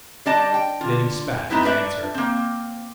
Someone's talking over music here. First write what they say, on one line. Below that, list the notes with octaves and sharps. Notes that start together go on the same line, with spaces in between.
Then he spat, as answer.
G3 D4 D5 D#5 A5
G5
D3 F4
A3 B3 C4 D#4 E4 B4
D4 B4 D5 E5
A#3 C4